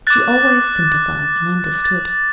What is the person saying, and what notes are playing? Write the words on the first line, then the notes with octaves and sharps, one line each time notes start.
She always sympathized and understood.
D6 F#6 A6
A6